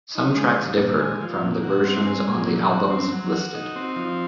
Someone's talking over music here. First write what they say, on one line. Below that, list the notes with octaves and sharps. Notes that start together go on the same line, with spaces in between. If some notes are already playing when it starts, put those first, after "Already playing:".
Some tracks differ from the versions on the albums listed.
D#4
G#3
D#3
A#2
G#3
F3
A#2
F#4
C4
G#3
A#2
F#3
F#4
C4
F#3
F#4
D#4
C4
F3